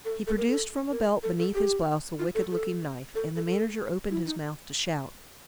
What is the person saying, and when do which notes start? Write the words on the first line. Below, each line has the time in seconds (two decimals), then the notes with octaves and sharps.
He produced from a belt beneath his blouse a wicked-looking knife, and the manager opened his mouth to shout.
0.05 A4
0.27 A4
0.37 A#4
0.48 A4
0.91 A#4
1.23 A4
1.39 A4
1.55 G4
2.19 F4
2.35 A4
2.51 A4
3.15 A4
3.36 A4
3.47 A4
4.11 E4
4.26 D#4